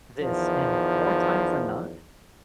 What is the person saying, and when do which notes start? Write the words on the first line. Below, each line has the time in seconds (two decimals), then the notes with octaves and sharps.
this," and more times than not,
0.20 E2 D#3 F3